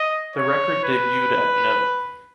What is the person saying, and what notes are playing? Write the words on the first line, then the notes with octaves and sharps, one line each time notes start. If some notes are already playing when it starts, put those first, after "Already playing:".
The record debuted at no.
Already playing: D#5
C#5
B4